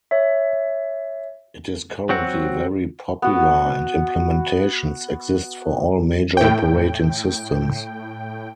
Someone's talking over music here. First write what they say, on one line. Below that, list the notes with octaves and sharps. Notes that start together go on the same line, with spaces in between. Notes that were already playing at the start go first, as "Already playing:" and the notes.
It is currently very popular and implementations exist for all major operating systems.
C#5 E5
F#3 C4 F#4
B3 F#4
A2 G5